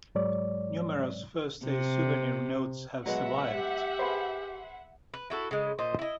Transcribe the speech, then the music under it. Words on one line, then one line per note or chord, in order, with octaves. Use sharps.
Numerous "first day" souvenir notes have survived.
G#2 F#3 G#3 C#5 D5
C3
F#3 G#3 B3 E5 F#5
G4
G#4 B4 C5
B4
E4 F#4 A4
C#3 G#3
A#2 C5 D#5
E4 D#5